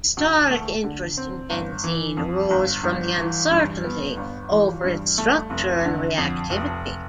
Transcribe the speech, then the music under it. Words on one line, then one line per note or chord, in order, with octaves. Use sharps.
Historic interest in benzene arose from the uncertainty over its structure and reactivity.
D2
A3
D3
C4
G1
E3
F2
G1
G1
E3
G2
B3
G1
E3
G2
A3
F1
D3
F2
F1